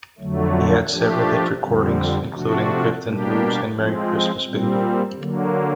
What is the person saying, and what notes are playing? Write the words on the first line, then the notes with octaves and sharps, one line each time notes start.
He had several hit recordings, including "Driftin' Blues" and "Merry Christmas Baby".
F2 D3 F#3 A3
F3 A3 D4 G4
F2 D3 G3 C4
C3 F3 A3 D4 F#4
B2 G3 A#3 D4 G4
F3 G#3 C4
A#2 G3 C4
D3 F#3 A#3